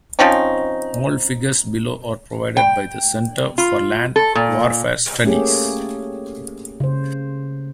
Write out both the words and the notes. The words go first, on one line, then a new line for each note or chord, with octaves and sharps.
All figures below are provided by the Centre for Land Warfare Studies.
F3 C4 C#4 D#4
G5
F4
A4
A#2
A3 A#3 C#4 G4 G#4
C#3 C5